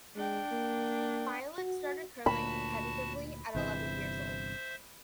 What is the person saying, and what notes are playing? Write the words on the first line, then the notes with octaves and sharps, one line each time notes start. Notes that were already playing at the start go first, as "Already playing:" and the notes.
Violette started curling competitively at eleven years old.
G#3 D4 G5
A#3
F#4
D2 A#2 F#4 A5 B5
G1 C3 E3 C5 E5